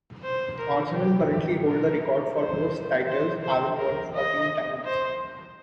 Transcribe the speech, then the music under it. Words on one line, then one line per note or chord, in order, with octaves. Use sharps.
Arsenal currently hold the record for most titles, having won fourteen times.
C5
A#4
G4
G4
A#4
C5
C5
C5
A#4
D#5
C5